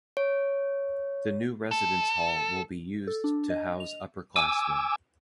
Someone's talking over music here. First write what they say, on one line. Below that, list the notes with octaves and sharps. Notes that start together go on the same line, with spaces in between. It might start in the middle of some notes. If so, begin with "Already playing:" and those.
The new residence hall will be used to house upperclassmen.
C#5
A4
A4
D4
D#5
F7
G#5 D6 E6